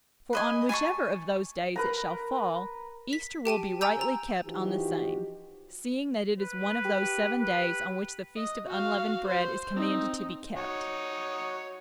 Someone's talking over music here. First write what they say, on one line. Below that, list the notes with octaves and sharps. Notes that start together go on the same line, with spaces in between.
For on whichever of those days it shall fall, Easter will be rightly kept on the same; seeing that it is one of those seven days on which the feast of unleavened bread is commanded to be kept.
B4 D#5 G#5
G#5 A5 B5 C#6
A#4 B4 A#5
B6
G4 G5 A5 D#7
G5 G#5 A#5 E6 G6
A#5
E3 F3 D#4 F#4 G4
B4
G4
B4
D#5
F#4 F5
C5
C4 D#4
D#4 F#4 C#5